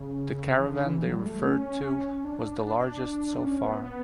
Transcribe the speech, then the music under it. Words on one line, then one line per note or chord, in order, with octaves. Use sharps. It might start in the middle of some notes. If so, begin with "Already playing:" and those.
The caravan they referred to was the largest so far.
Already playing: C#3
E3
D3
E3
F#3
G3
A3
C#4
D4
D4
C#4
B3
B3